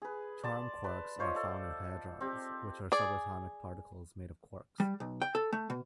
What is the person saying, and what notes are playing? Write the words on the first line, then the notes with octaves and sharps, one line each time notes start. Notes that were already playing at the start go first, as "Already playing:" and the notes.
Charm quarks are found in hadrons, which are subatomic particles made of quarks.
G#4 B4
D5 A5 C6
B4 A5 C6
F4 C5 C#5 D#5
A4 D5
C4 G4
G#4 D5
G3
B1
G5
A4
A3
B2